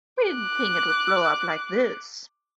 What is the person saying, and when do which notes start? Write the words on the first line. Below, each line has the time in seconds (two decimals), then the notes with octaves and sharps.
We didn't think it would blow up like this.
0.23 D6 F#6